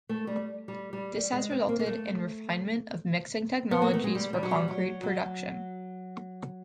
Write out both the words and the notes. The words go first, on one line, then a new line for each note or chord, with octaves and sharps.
This has resulted in refinement of mixing technologies for concrete production.
A3
G3
G3
G3
G3
G#3
C4
A#3
A#3
A3
B3
A#3
A3
G#3
G3
G3
F#3
G3
F#3
F#3